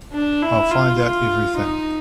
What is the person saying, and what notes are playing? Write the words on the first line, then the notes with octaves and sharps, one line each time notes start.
I'll find out everything.
D4
E4
F4
F4
D#4